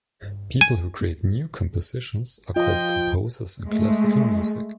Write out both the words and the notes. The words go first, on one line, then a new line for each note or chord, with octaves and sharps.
People who create new compositions are called composers in classical music.
G#5
F3 F4 D#5 G5
G#3 A3